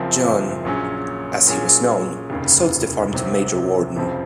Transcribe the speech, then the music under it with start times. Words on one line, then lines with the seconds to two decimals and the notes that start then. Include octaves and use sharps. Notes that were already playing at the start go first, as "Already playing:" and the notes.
Johann - as he was known - sold the farm to Major Warden.
Already playing: F#1 F#2 C#3 F3 C4
0.65 A#1 A#2 F#3 C#4 G#4
1.47 A#2 F#3 C#4 G#4
2.30 F1 D#2 C#3
3.13 C2 C3 F#3 C4
3.96 F1 F2 C#3 F3 C4